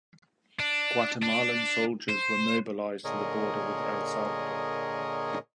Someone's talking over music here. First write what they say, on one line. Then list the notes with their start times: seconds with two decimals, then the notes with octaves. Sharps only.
Guatemalan soldiers were mobilized to the border with El Salvador.
0.60 D4
1.22 D4
2.09 C5
3.05 A#2 D3 G#4 A#4 C#5 D#5